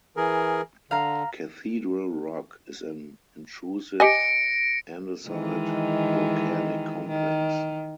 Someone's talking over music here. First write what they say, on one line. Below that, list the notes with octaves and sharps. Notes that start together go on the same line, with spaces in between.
Cathedral Rock is an intrusive andesite volcanic complex.
E3 G#4 A#4
D3 F5 A#5
G4 D#5 G#5 A#6 C#7 D7
D#3 E3 G#3
D#3